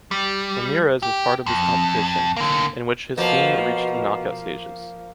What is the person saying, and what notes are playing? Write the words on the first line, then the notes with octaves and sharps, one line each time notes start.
Ramírez was part of this competition, in which his team reached the knockout stages.
G3
G4
F2
D3 A#3
B2 F3 A#3